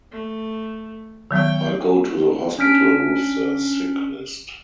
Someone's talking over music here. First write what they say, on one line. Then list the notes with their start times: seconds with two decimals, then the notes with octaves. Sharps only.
I'll go to the hospital with the sick-list.
0.11 A3
1.31 D#3 F#3 B3 C#5 G5
2.58 C#4 D4 F6 B6 D7